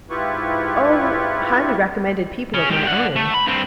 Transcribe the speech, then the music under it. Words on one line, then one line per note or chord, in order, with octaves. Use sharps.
'Oh, highly recommended people of my own.'
G#2 E4 F4 G4 B4 C#6
C#4 G#4
G#3 G4
D5 F#5
A3
B5
G2 C4